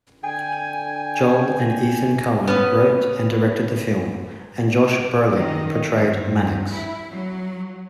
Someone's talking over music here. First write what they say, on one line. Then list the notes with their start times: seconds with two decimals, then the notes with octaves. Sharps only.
Joel and Ethan Coen wrote and directed the film, and Josh Brolin portrayed Mannix.
0.23 D3 G5 G#5
2.47 B3 C#4 B4
5.34 D#3
5.93 G2
6.71 E4
7.10 F#3